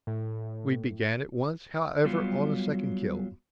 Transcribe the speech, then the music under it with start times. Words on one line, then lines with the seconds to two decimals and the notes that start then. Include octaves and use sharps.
We began at once, however, on a second kiln.
0.07 A2
2.05 F#3 G3 B3 F4